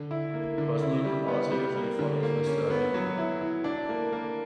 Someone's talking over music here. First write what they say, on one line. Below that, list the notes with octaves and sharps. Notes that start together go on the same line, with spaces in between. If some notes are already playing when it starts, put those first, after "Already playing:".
Bosnian also usually follows the Serbian model.
Already playing: D3
E4
A#3
D3
E4
G3
B3
G3
A#3
D3
A#3
C#4
B3
F#3
E4
E4
D4
A#3
A#3